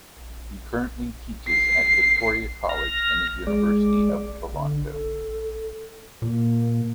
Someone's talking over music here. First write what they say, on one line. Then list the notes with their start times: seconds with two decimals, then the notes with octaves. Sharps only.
He currently teaches at Victoria College in the University of Toronto.
1.48 C7
2.69 F6 A#6
3.47 G#3 D5
4.54 D3
4.87 A4
6.22 A#2 A#3